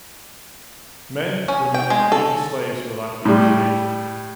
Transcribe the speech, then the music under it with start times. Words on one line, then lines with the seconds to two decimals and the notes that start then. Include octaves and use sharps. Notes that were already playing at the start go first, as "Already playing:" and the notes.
Men, women and even slaves were allowed to be initiated.
1.48 C#4
1.74 G5
1.90 G#3
2.12 A4
3.25 A2 G3